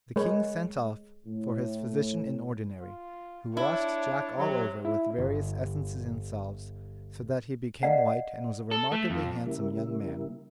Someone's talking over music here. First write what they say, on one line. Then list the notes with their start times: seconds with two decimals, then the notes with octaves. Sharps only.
The King sent off for his physician in ordinary, who washed Jack all over with various essences and salves, so that he became white and was a remarkably handsome young man.
0.16 G#3 A#4 B4 C#5
1.26 A2
2.81 F4
3.57 D4 E4 C#5
4.37 C3 F#3
4.85 E4
5.18 G1
7.83 D5 D#5 F5 F#5
8.71 A4
8.92 A3
9.10 F2
9.46 C#3 G3 A#3 E4